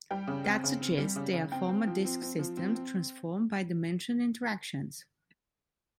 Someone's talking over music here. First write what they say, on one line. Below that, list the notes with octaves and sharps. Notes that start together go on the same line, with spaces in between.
That suggests they are former disk systems, transformed by the mentioned interactions.
G3 G5
C#3
C4
C#3
C4
G3
C#3
C#3
C4 G5
C4
F3
C4
C4
F3
C4
C4